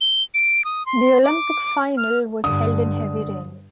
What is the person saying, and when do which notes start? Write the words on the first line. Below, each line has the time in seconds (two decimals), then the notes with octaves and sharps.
The Olympic final was held in heavy rain.
0.01 G7
0.34 D7
0.65 D#6
0.86 C6
1.24 D6
1.97 F6
2.44 G2 D3 D#6